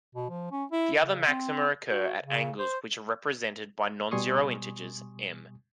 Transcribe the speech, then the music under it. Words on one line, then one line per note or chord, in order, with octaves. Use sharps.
The other maxima occur at angles which are represented by non-zero integers "m".
B2
F3
C#4
E4
C#3
C4
F#4
C#3
C5
B2 G3 G#5 C6 C#6 D#6